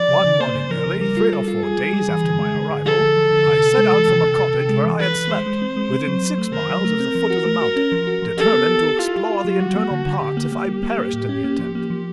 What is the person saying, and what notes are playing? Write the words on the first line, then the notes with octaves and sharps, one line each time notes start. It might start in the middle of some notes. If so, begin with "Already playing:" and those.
One morning early, three or four days after my arrival, I set out from a cottage where I had slept, within six miles of the foot of the mountain, determined to explore the internal parts, if I perished in the attempt.
Already playing: F3 D5
C#3
C#3
A#3 C5
C#3
F3 A#4
C#3
G3 A#4
F4
G3 A4
F4
G3 G#4
G3
G3
E3
D3
G#3
D3
D3
F3 A4
D3
F3
D3
C3
C3
G#3
E3
C3
C3
C3
C3
G#3
E3
E3 B4
E3
G#3 C5
G#3
C4
G#3
C4
F#3
F#3
A3
D#3 A#4
F#3
A3
C4
F3
F#4
A3
F#4
C#4
F3
F#4
F3
G4 A4
B3
G4
G4
E4 F4
G4
G4
F#3
G3 F#4
A#3
D3
D3
D3 G4
A#3
A#3
G3
A#3
A#3
A2
C#4
A#3
F3
A#3
F3